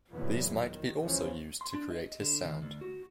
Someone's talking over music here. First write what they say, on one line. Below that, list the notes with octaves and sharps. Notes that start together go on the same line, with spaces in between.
These might be also used to create his sound.
E2 A#2 D3 F#3 B3
D#3
C#2 E3 F3 C#4
C6
D4
D#5
D3
D#3
D2
F#4